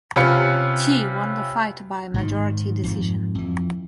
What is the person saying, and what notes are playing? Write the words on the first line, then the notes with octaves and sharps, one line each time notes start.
Qi won the fight by majority decision.
C3 C#4 F4 B4 C#7
G#2 D#3
F2 G#2
F2 E3